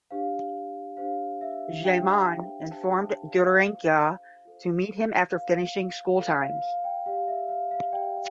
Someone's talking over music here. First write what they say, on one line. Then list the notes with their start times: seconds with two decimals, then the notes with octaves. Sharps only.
Jayamanne informed Deraniyagala to meet him after finishing school times.
0.11 D4 G4 C5 F5
0.97 D4 G4 C5 F5
1.41 E5
1.84 D4 G4 C5 G5
2.70 D4 G4 C5 A5
3.00 A5
3.28 F5
3.57 F4 A4 C5
4.45 F4 A4 C5
5.31 F4 A4 C5 F5
6.19 F4 A4 C5 F5
6.41 F5
6.62 F5
6.84 G5
7.06 G4 D5 F5
7.28 E5
7.49 F5
7.71 F5
7.93 G4 D5 G5